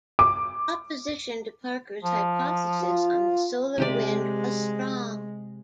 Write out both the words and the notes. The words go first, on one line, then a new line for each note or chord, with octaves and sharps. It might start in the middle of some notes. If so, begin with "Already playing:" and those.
Opposition to Parker's hypothesis on the solar wind was strong.
D6
F3
F4
C3 G#3 G4 D5